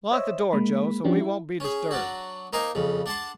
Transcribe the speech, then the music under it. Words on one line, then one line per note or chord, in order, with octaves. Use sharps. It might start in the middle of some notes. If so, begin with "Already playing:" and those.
Lock the door, Joe, so we won't be disturbed.
C5 C#5 D#5 E5 E6
G#3 A#3 B5
F3 C#4 D4 F#4 G4
E4
C#4 G#4
F#3 D4 F#4
A#3 D#4 C5 D#5 G#5
F2 C#3
D4 F#5 A5 C6